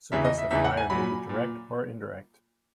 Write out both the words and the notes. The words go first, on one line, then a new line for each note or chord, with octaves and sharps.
Suppressive fire may be direct or indirect.
E2 C#3 E3 E5
D#5
E5
E2 C#3 E3 E5
F#5
G#5
A#2 F#3 B5
A#2